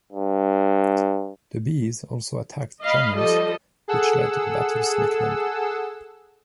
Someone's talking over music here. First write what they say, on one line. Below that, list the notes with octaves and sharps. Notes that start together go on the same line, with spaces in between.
The bees also attacked Germans, which led to the battle’s nickname.
G2
D#5 F5 B5
F3 G3 A4 D#5
G#4 A4 F#5 E6